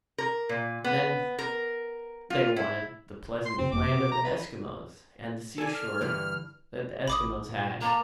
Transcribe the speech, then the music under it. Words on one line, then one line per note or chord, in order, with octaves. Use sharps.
Then they wanted the pleasant land of the Eskimos and the seashore that the Eskimos had.
A#4
A#2
B3
A#4
F4
E4
C6
F#2 C#3 C4
F#1 F2 A#3 D6
B2
A#5
B4
A4 D5 G#5
F6
G2 D3 E3
A1 B5 D6 D#6
A#2
A#3 A5 A#5